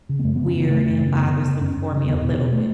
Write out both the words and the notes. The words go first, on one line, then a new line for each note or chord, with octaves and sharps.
weird and bothersome for me a little bit.
C#3
B3
F#2 A3
C#3 B3
C#4
C#3 B3
F#2 A3
F#2
C#3
C#4
F#2 B3
C#3
C#3
F#2 C#4
F#2
C#3
E2 B3
B2
B2
A3